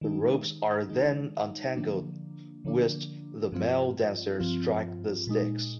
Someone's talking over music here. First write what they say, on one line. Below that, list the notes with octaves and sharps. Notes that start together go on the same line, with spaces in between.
The ropes are then untangled whilst the male dancers strike the sticks.
D#3 G#3 D#4
D#3 G#3 D#4
D3 F3 A#3 D4
D3 F3 A#3 D4
G2 F3 C4 F4
G2 F3 C4 F4
A#2 G#3 D#4